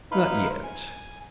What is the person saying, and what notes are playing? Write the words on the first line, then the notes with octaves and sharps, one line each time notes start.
"Not yet."
D#4 E4 B4 F5 B5 C6
G#5